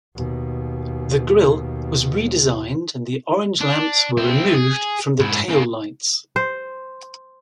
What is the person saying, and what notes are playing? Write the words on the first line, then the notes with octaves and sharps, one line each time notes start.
The grill was redesigned, and the orange lamps were removed from the taillights.
D#2 B2
D4
C4 E4
G#4
G#2 E4
C#3 A#3
C5